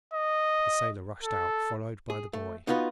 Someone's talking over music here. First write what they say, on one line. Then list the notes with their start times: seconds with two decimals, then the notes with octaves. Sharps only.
The sailor rushed out, followed by the boy.
0.14 D#5
1.23 A4
2.10 G#4
2.33 A3
2.67 B3 D#4 F4 F#4 B4